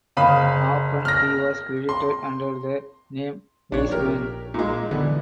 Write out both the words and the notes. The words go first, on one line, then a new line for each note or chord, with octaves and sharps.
Often he was credited under the name Weisman.
F#1 F5 B5 D#6
F6 A#6
C6
A#1 D4 C#5
G4 A#4
A#2 G#3
D3 E3 B3